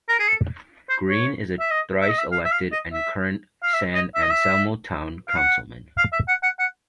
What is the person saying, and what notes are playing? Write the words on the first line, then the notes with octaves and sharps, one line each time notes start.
Greene is a thrice-elected and current San Anselmo town councilman.
A#4
G#4
A4
C5
C#5
E5
D#5
E5
D#5
E5
F5
E5
F5
D#5
E5
F5
E5
D#5
E5
D#5
E5
F5
F#5
F5
E5
F#5
F#5
F#5